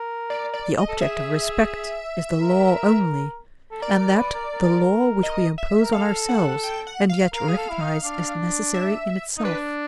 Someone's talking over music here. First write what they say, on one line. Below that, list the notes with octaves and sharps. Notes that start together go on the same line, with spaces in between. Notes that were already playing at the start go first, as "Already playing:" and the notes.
The object of respect is the law only, and that the law which we impose on ourselves and yet recognise as necessary in itself.
Already playing: A#4
D5
D5
D#5
A4
G#4 E5
A#4
A4
A#4 D5
A#4
B4
A#4
A#4
D#5
E5
A#4
A4 F5
F#5
G5
F#5
F5
A#4 F5
G#4
A4
E4
D#4
D4
E5
D#4
D4 B4